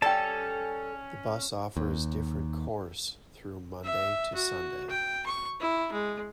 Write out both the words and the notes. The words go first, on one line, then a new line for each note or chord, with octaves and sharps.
The bus offers different course through Monday to Sunday.
G3 C#4 A4 D5 G5 A5
D#2
E5
F#4
G5
C#6
E4
G#3